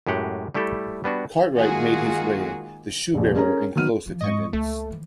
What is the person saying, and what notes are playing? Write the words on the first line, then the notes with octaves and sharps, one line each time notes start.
Cartwright made his way, the shoe-bearer in close attendance.
F#2 A2 G#3 G4 F#5
G3 A3 E4 G4 A4
G3 B3 D4 F#4
D#3 G#3 A#3 F4 F#4 G#4
F1 A#1
C#4 G#4 A#4 C#5 A#5
D#3 F#3 B3 F6 D#7
E3 F3
G#2 D#5 C#6
C#2 A3 A#3
D#3 E3